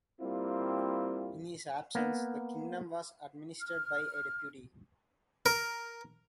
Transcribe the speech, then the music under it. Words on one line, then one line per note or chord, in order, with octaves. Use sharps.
In his absence, the kingdom was administered by a deputy.
G3 A#3 C4 E4 F4
A#3 B3
F6
A#4